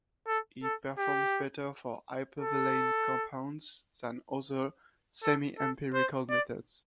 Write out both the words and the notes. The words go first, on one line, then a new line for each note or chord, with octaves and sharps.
It performs better for hypervalent compounds than other semiempirical methods.
A4
A4
G4
A4
A4
A4
C5
D5